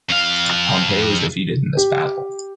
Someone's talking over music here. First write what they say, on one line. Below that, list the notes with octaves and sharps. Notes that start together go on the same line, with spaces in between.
Pompey was defeated in this battle.
F2 F5
G4